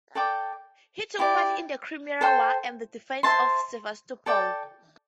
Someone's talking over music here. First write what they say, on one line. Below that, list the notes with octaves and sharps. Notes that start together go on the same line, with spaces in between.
He took part in the Crimean War and the defense of Sevastopol.
A4 D5 G5 D6
E4 G4 D5
A4 C5 G5
C5 E5 A5 C6
A4 D5 G5 D6